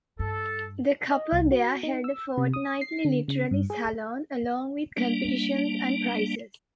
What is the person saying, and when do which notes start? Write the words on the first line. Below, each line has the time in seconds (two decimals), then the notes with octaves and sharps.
The couple there held a fortnightly literary salon along with competitions and prizes.
0.19 G2 A4
1.11 D#5
1.33 C2
1.52 F#4
1.83 D#4
2.04 E6
2.38 C3
2.54 D#6
2.81 C7
3.05 D3
3.28 C#3
3.51 G2
3.70 G#4
4.97 G3 A#3 D4